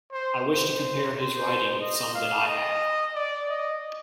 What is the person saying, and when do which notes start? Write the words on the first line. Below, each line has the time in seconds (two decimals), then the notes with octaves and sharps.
I wish to compare his writing with some that I have.
0.12 C5
0.45 C5
1.13 C5
1.80 D#5
2.14 F5
2.48 D#5
3.15 D5
3.50 D#5